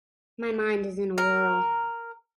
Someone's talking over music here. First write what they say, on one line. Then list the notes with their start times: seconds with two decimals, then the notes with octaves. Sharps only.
My mind is in a whirl.
1.18 A#4